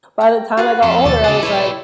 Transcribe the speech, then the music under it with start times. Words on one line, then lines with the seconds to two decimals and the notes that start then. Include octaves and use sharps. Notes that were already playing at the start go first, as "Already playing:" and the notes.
by the time I got older, I was like,
0.21 G5 A#5
0.57 F4 F#4 G#4 B4
0.83 F2 A4 C6
1.05 D#2 B2 C#5 D5 A6
1.24 C#3 F#4 G#4 D5 A6
1.43 E4 B4 C#5 B5